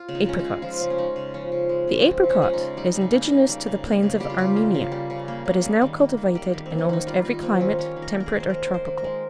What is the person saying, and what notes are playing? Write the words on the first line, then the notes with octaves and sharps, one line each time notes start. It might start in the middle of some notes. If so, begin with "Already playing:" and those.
APRICOTS.--The apricot is indigenous to the plains of Armenia, but is now cultivated in almost every climate, temperate or tropical.
Already playing: F4
C#3
D#4
G#3 C#4
D#4
C#3
F3 F4
C#3
C#4
G#3 D#4
C#3
F3 C#4
C#3
G#3
C#3
C#4
F3 C4
C#3
C#4
G#3 C#4
D#4
C#3
G3 D#4
C#3
D#4
A#3
D#4
C#3
G3
C#3
A#3
C#3
G3 G4
F4
C#3 G4
A#3
C#3
G3
C#3
A#3
C#3
G3
D#3
A#3
D#3
G3 G4
D#3
A#3 C4
C#4
D#3 D#4
G3 F4
D#3 D#4
A#3 C4
D#3 C#4
G3 C#4
D#3
A#4
A#3
A#4
G#4
D#3
C5
G#3 A#4
D#3
C5
D#3
A#4
G#3